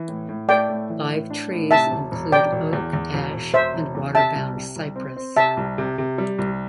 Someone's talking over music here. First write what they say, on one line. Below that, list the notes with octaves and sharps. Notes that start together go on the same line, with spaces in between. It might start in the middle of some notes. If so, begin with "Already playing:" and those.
Live trees include oak, ash, and water-bound cypress.
Already playing: E3
A2
A2
A3 D5 G5
A2
E3
A2
D4
A2
C3 E5 A5
E1
E1
E1 D5 G5
E1
E2
E2
E1
E1
E1 C5 E5
E1
E2
C3 E5 A5
C2
C3
C2
C4
C4
C3 E5 A5
C2
C3
C3
G3
C2